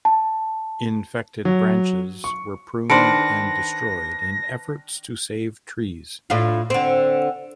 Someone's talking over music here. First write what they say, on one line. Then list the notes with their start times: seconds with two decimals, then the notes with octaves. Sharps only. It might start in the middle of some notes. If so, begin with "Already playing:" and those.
Infected branches were pruned and destroyed in efforts to save trees.
0.05 A5
1.45 F#3
2.24 C#6
2.90 D#3 D4 B4 C5 A5 A#6 C#7 D7
6.30 A2 D4 F4
6.70 D3 C4